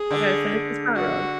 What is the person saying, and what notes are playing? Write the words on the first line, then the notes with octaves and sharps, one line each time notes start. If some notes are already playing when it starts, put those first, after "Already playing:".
“I gotta finish this pot roast.”
Already playing: G#4
D3
F#4